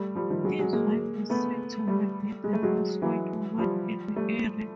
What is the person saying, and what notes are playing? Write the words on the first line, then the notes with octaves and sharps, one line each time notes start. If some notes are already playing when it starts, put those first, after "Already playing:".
His wife is said to have been the first white woman in the area.
Already playing: G3 A3
F3 G3
D#3 F3
F#3 G#3
F#3 G#3
G#3 A#3
A3 B3
G3 A3
G#3
A3
F#3 G#3
E3 F#3
F3 G3
G3 A3